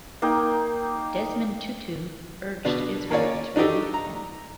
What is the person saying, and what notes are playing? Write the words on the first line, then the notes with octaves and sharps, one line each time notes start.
Desmond Tutu urged Israel to release him.
A#3 D#4 G5
B2 B3 D4
A#3 C#4 F4 C#5 D5
D4 D#4 F#4 G4 A4
A#5